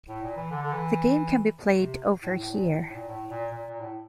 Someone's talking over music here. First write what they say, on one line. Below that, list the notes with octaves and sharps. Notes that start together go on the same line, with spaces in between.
The game can be played over here.
A2
A#2
E3
D3
D3
E3
C3
A2
A2
A#2
A2
A2
A#2
A2
A#2
A#2
A#2
A2